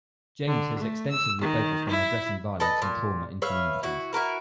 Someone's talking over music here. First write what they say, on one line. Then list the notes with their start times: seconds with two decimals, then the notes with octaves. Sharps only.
James has extensively focused on addressing violence and trauma in communities.
0.47 D3
0.78 A3
1.10 E6
1.40 D#3
1.88 E4
2.60 A4 B4 D#5
2.82 A#2
3.42 B4 C#5 E5 F5
3.83 E4 F#4
4.13 E4 F#4 A#4 B4